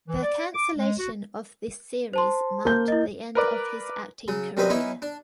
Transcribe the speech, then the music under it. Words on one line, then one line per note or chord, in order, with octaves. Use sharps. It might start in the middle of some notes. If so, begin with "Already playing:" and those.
The cancellation of this series marked the end of his acting career.
E3
D5
D6
G#3
F#4
C5 A5 C6
A#3 G6
E4 D#5
A#4 B4 D5
C#3 F#3
F#2 C3 G3 B4 C5 D#5
B3 C#4 D#4 E4
D4